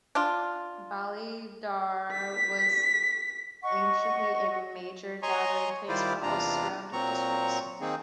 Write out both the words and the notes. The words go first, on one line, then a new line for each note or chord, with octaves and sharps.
Ballysadare was anciently a major gathering place for all surrounding districts.
D4 F4
B6
D#5 F#5 C#6
C#5 D#5 G#5 A#5 C6 C#6
D#3 G3 E4 F4 C5 D5
E2 C3 D4 F4 A#5
A#2 F#3 C4 A#5 C#6
D#3 A#3 C4 D#4 G#4